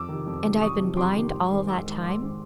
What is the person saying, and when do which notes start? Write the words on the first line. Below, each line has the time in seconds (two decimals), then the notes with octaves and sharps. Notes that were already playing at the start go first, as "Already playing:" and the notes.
"And I've been blind all that time?"
Already playing: F2 D6 E6
0.08 C3 D#3
0.27 F2
0.44 C3 D#3
0.62 F2 C#6 D#6
0.80 C3 D#3
0.97 F2 C6 D6
1.15 C3 D#3
1.32 G#2
1.50 D#3 G#3 C4
1.67 G#2 D6 E6
1.86 D#3 G#3 C4
2.03 G#2 C6 D6
2.21 D#3 G#3 C4